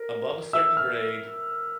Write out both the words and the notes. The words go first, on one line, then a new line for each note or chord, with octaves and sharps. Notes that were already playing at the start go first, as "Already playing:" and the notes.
above a certain grade
Already playing: A#4
E5 E6
F6